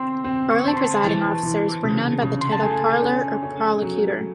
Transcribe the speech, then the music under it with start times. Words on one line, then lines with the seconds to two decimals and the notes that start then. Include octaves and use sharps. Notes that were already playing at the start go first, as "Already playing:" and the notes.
Early presiding officers were known by the title parlour or prolocutor.
Already playing: C4 C6
0.24 C4
0.50 C#6
0.64 C5 A5
0.77 C6
1.04 E3 A5
1.43 E3
1.83 C#3
2.23 C#3
2.41 C6
2.52 A5
2.63 A3 G#5
3.03 C#4
3.43 C#4
3.82 F#3